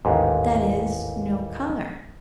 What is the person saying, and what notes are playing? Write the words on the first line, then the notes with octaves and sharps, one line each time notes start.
That is, no colour.
A1 D#2 G#2